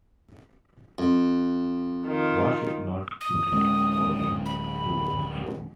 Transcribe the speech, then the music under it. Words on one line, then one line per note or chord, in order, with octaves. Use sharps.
Was it not cruel for him to do so?
F2
D#3 F4
D#6
D1 G#3 C#4
B5